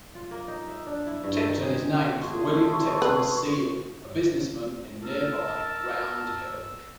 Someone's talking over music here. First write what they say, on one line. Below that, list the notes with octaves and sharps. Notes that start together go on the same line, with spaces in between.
Tipton is named for William Tipton Seely, a businessman in nearby Round Hill.
F4
A#3
D#4
E5
D4
E4
G2
D#3
G#4
G#1 A3 G#4 A4 C6 C#6
B4
A#4 A5 E6